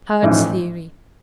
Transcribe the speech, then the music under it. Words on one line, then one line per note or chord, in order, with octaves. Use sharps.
Hart's Theory.
A1 G#2 F3 A3